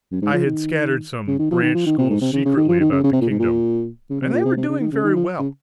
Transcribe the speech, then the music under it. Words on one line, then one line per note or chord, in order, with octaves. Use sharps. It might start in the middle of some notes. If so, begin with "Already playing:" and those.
I had scattered some branch schools secretly about the kingdom, and they were doing very well.
F#2
G#2
F3
D#3
C#3
D#3
F3
D#3
F3
D#3
C3
G#2
C3
C#3
C#3
D#3
F3
D#3
C#3
C#3
C3
A#2
G#2
A#2
C#3
C3
A#2
C3
C3
C#3
D#3
C#3
D#3
F3
C#3